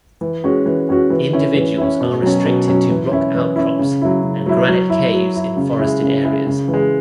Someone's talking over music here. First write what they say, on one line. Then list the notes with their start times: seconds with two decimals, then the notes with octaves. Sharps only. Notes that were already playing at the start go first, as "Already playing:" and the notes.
Individuals are restricted to rock outcrops and granite caves in forested areas.
0.21 E3
0.44 G#3 C#4 F#4
0.66 E3
0.89 G#3 C#4 F#4
1.10 E3
1.33 C#4 E4
1.55 E3
1.78 C#4 E4
2.00 B2
2.22 F#3 C#4
2.45 B2
2.68 F#3 C#4
2.89 E3
3.12 C#4 E4
3.35 E3
3.56 C#4 E4
3.79 C#3
4.02 F#3 E4
4.23 C#3
4.46 F#3 E4
4.68 F#3
4.90 E4
5.13 F#3
5.35 E4
5.57 C#3
5.79 G#3 E4
6.02 C#3
6.24 G#3 E4
6.47 C#3
6.68 E3
6.74 G#3